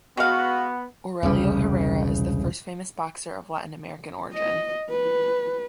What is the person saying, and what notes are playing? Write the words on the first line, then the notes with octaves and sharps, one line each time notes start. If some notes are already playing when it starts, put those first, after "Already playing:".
Aurelio Herrera is the first famous boxer of Latin American origin.
G#3 B3 F#4 F5
E1 C2 C#3 G3
D#5
B4